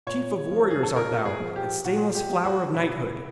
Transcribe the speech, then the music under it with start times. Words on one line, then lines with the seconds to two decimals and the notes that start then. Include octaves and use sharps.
Chief of warriors art thou, and stainless flower of knighthood!'
0.07 A#2 C#5
0.51 F3
0.70 G#4
0.83 A4
0.96 A#2 A#4
1.25 G#4
1.40 F3
1.56 G4
1.84 A#2 F#4
2.15 G4
2.30 F3
2.44 F#4
2.74 A#2 E4